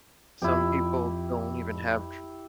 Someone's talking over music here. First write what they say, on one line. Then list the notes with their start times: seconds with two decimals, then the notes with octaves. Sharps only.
Some people don't even have dr
0.42 F2 E4 G4